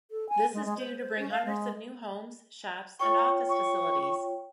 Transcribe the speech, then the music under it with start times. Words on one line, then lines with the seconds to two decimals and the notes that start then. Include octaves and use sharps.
This is due to bring hundreds of new homes, shops and office facilities.
0.11 A4
0.29 G#5
0.53 G#3
0.65 G#3
0.78 C5
1.00 C5
1.19 C#4
1.31 F5
1.45 G#3
2.99 F4 C#5 G5 C#6
3.49 C#6